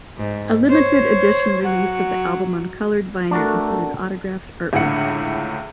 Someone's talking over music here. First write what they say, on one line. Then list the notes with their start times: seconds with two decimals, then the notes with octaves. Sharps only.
A limited edition release of the album on colored vinyl included autographed artwork.
0.17 G#2
0.69 C5 C#5
1.64 F#3 F#5
3.31 A3 D4 F#4 A#4
4.73 C#2 A2 D3 F#5 C#7